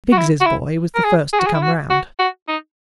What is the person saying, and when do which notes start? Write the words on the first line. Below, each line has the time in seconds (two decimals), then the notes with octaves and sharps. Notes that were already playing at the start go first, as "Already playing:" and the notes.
Biggs's boy was the first to come round.
0.12 F#4
0.17 E4
0.41 F#4
0.46 E4
0.95 A#4
1.04 G#4
1.33 G#4
1.40 F#4
1.46 G#4
1.54 E4
1.62 F#4
1.90 F#4
2.19 F#4
2.48 D#4